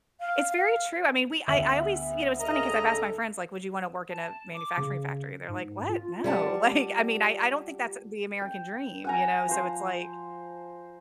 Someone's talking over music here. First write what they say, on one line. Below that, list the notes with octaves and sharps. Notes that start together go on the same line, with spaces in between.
It's very true. I mean, we I I always you know, it's funny 'cause I've asked my friends, like, "Would you want to work in a manufacturing factory?" They're like, "What, no," like, I mean, I I don't think that's the American dream, you know, so it's like
F5
D2 B3 E5 F#7
C#3 A#4 D#5 A#5
A4
A5
D6
C#3
G#2
F4
G3 F4 G4 F#5 A5
G5
F#5 G#5 A#5
F3 C5